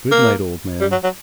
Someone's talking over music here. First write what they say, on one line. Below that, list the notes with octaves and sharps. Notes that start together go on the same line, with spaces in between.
"Good-night, old man."
A#3
G3
F#3
F#3